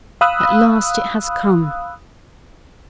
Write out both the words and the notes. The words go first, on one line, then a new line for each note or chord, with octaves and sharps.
"At last, it has come!"
F5 B5 D#6 E6 F#6